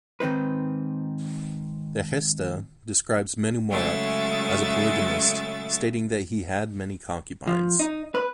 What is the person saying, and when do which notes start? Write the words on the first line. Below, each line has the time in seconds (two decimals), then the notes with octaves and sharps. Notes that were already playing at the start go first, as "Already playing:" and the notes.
The "Gesta" describes Menumorut as a polygamist, stating that he "had many concubines".
0.20 G#2 D#3 C4 D#4 B4
3.70 C#3 F#3 G#3 A3 E5 A6
7.47 F3
7.80 D#4
8.15 B4